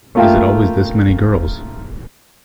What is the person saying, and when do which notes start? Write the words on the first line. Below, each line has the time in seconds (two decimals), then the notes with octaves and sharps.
Is it always this many girls?
0.15 A3 A#3 F4 E5 F5 G5